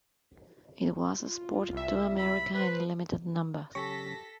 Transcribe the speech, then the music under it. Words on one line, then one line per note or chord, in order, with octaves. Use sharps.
It was exported to America in limited numbers.
F4
C2 E5
B5
B4 C5 B5
C#3 F#3 C#4 G4 A4 C#6 A#6 B6